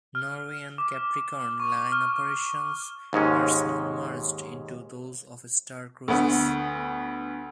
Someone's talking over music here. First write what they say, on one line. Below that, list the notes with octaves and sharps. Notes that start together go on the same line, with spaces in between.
Norwegian Capricorn Line operations were soon merged into those of Star Cruises.
F6
D6
C#6
F6
D#2 G#2 G#3 C#4
D2 B3